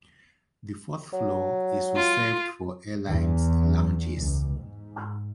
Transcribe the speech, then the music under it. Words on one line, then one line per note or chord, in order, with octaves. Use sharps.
The fourth floor is reserved for airlines' lounges.
F#3
F4
E2
C#2
G#2